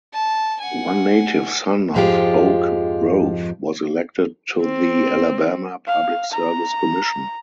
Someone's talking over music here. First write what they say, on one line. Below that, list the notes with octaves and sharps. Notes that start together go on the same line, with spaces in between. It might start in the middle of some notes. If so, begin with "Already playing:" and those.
One native son of Oak Grove was elected to the Alabama Public Service Commission.
A5
F#5 G#5
F2 G#2 F3 G#3 F4 G4
C4
F5
A#5